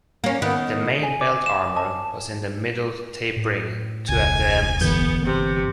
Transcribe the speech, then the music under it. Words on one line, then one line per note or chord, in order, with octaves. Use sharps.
The main belt armor was in the middle tapering to at the ends.
A#3 C#4
D#3 B3
G#5
D6
E7
A5
A2
E1 C#2 G#5
G1 E3 B3 G6
C3